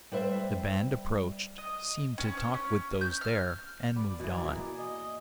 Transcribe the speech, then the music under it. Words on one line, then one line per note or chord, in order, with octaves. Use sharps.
The band approached, seemed to talk with those there, and moved on.
G3 B4 C5 E5
D#5
C#4
C#5
C#4
G6
F6
B3 D5
B2 E3
A#3 G#4
D#5